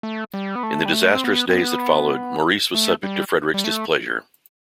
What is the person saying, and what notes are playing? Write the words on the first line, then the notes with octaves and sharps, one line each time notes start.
In the disastrous days that followed, Maurice was subject to Frederick's displeasure.
A3
G3
B3
A3
G3
A3
C4
B3
C4
B3
A3
G3
G3
A3